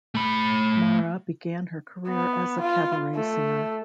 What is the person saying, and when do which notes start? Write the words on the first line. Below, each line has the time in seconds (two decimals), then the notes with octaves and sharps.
Maura began her career as a cabaret singer.
0.15 A3 B5
2.08 B3
2.60 F4
3.15 A3